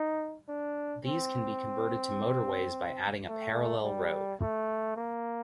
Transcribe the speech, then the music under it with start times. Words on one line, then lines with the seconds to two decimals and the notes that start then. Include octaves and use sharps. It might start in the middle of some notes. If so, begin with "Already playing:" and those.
These can be converted to motorways by adding a parallel road.
Already playing: D#4
0.48 D4
1.05 C4
3.28 A3
3.84 G3
4.41 A3
4.96 A#3